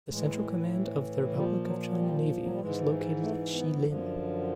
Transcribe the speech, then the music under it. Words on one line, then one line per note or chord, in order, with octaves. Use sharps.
The central command of the Republic of China Navy is located in Shilin.
A2 E3 G#3
A#2 F3 G3
F#3
F#3
G3
F#3
G3
G#2 E3 G#3
A3
B3
F#2 D3 F3